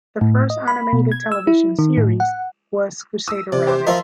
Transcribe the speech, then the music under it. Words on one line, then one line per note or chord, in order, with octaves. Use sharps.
The first animated television series was "Crusader Rabbit".
A2
D#5
B5
B2
G#6
E6
E4
D#3
A2
F#5
D#6 E6
C3 D5
G4 C5 D6
F3 F4 A#4 D#5 E5 C6